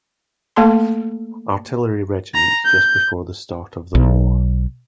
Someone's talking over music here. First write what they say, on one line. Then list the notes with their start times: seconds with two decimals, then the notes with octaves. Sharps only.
Artillery regiments just before the start of the war.
0.56 A3 A#3 A4 A5 C6
2.34 A#5
2.65 G6
3.95 B1